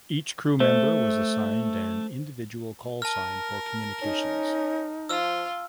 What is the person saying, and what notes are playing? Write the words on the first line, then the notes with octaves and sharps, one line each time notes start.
Each crew member was assigned an individual call sign for communications.
A3 C5
A#4 A5 F6
C#4 D#4
F3 F4 E6 F6